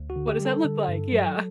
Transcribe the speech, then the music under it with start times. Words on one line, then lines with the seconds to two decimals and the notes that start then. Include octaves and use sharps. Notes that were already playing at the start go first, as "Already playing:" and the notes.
What does that look like? Yeah.
Already playing: D2
0.10 F#4
0.16 D3
0.28 G4
0.40 G3 A4
0.64 D3
0.88 G2
1.12 F#3